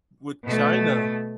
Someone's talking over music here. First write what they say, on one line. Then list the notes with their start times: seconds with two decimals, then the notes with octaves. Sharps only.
with China,
0.44 B2 A3